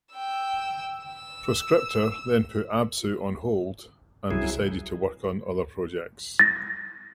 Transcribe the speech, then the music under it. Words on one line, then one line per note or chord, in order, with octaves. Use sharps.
Proscriptor then put Absu on hold and decided to work on other projects.
G5 E6
E6
C2 F#3 E4 G#4
A6 A#6